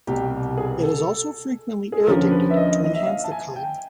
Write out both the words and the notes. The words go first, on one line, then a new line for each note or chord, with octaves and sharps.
It is also frequently irradiated to enhance the color.
C2 B2 G3 G4
G#4
A4
G#4
A4
D#2 D3 F3 A#3 C#4 A#4
B4
E5
D#5
D#5
E5
F5
A5
G#5
G5